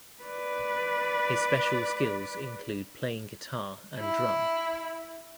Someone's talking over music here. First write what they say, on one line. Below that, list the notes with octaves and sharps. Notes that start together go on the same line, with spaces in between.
His special skills include playing guitar and drum.
B4 D5
E4